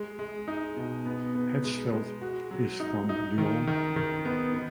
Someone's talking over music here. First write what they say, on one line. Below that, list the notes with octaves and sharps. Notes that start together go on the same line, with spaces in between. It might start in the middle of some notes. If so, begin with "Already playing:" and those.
Hatzfeld is from Lyon.
Already playing: G#3
G#3
D#4
B2
B3
B3
G#3
G#3
F#4
F#3
D#4
D#4
D#3
D#3
D#3
B3
B3